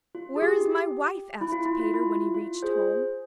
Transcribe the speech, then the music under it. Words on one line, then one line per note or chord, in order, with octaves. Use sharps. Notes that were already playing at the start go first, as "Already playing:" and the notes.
'Where is my wife?' asked Peter, when he reached home.
F4
G#4
G4
E4
F4
E4
F4
E4
F4
G#4 C5